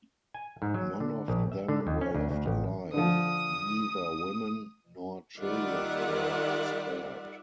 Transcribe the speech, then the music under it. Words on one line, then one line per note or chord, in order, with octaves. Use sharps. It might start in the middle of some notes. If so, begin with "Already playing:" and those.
None of them were left alive; neither women nor children were spared.
G#5
G#2
F#3
D3
A#1
E5
D3
D#2
C#4
D2
D2
A1
D3 F3 D#6
D#3 G3 F4 D5 E5 F#5